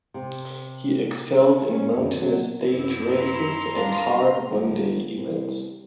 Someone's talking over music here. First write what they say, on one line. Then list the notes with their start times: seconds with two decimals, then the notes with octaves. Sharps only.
He excelled in mountainous stage races and hard one-day events.
0.14 C3
1.66 C#4
1.90 F#2
2.17 F#3
2.67 F#2 E4
3.12 A#5 C6
3.76 D4 F5
4.51 G1
5.17 C2